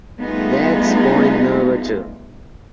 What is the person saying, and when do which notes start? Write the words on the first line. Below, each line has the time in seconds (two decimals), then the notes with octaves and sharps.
That's point number two.
0.21 G3 A3 B3 D#4 F4 G#4